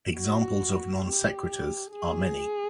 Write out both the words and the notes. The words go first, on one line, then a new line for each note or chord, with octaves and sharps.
Examples of non sequiturs are many.
F#4
G4
G#4